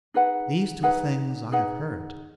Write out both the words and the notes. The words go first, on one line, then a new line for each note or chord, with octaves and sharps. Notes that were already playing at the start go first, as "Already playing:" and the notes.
These two things I have heard.
D#4 G#4 B4 F#5
D#4 G#4 B4 F#5
D#4 G#4 B4 F#5